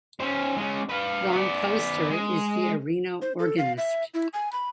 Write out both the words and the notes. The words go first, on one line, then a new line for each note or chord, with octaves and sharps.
Ron Poster is the arena organist.
C#4 C5
G#3 C#4
B4 F5
B3 D5
G#3
C5
A4
F5
E5
E4
G#5
B5